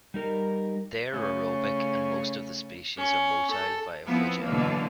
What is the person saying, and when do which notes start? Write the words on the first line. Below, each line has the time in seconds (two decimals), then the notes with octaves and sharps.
They are aerobic and most of the species are motile via flagella.
0.14 G3 D#4 A#4
1.11 C#3 A3 C#4
2.97 C#4
3.51 A4
4.06 F3 B3 C4 E4
4.45 B2 D3 E3 F#3 A#3